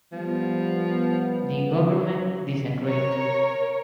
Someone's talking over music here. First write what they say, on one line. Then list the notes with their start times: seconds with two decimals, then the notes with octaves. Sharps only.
The government disagreed.
0.12 F3 G3 B3
2.84 A#4 C#5